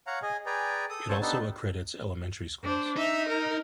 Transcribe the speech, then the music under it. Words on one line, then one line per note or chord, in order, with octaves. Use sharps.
It also accredits elementary schools.
C#5 F5 F#5 A#5
G#4 D#5 G#5
G#4 B4 D5 G5 G#5 A#5
A4 D#6
C#4 A4 C5 C#5 A5
B3 D4 D#4 G4 A4 A5
D4 C5
D#4 E5
A#4